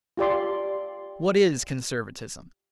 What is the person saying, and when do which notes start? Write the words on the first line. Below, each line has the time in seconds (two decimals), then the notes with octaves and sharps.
What is conservatism?
0.17 F4 G4 D5 C6